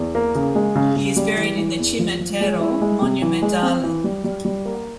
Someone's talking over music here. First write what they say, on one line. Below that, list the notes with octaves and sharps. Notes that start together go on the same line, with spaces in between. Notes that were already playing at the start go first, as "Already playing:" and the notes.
He's buried in the "Cimitero Monumentale".
Already playing: E2
A#3
C#3
G#3
C#3
C#3
G3
E3
E3
E2
F3
F3
G#3
E4
G#3
C3
E3
G#3
C4
E3
G3
G3
G3
A#3